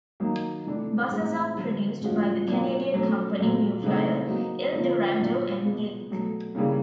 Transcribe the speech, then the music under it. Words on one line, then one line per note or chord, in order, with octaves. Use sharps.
Buses are produced by the Canadian company New Flyer, Eldorado, and Gillig.
D#3 F#3 A#3 D#4
C3 E3 A3 D4
A2 E3 G#3 C4 D#4
D3 F#3 B3
A2 F3 G#3 C#4 F#4
B2 F#3 A#3 D4 F4
B2 F#3 A3 C#4
A#2 F#3 A3
C#3 E3 A3 C4 D#4
F#3 A#3 D#4 F#4
D3 F3 A#3 C#4 F4
A#2 F#3 B3 D4 F4
B2 G#3 B3
B2 F#3 A3
C#3 E3 G3 A#3 C#4